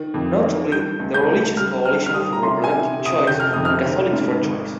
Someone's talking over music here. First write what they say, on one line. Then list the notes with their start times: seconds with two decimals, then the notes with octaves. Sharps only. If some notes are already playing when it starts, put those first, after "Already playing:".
Notably, the Religious Coalition for Reproductive Choice and Catholics for Choice.
Already playing: D#3
0.14 F2
0.43 D#3
0.72 G3 G6
0.99 C#2
1.14 G6
1.28 C#2
1.57 G3 F6
1.85 G3 F6
2.06 F6
2.14 G3 D#6
2.33 A#5
2.42 C3 C6
2.64 G#5
2.71 C3
2.99 C3
3.06 D#6
3.27 F1 G6
3.40 F6
3.53 F2 D#6
3.65 F6
3.84 F1
4.13 G#2
4.41 G#1